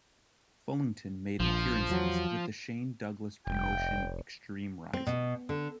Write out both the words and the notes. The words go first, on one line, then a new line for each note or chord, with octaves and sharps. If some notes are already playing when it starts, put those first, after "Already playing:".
Fullington made appearances with the Shane Douglas promotion Extreme Rising.
A#1 F3
E2 F#3
F1 G5
C4
B2
D3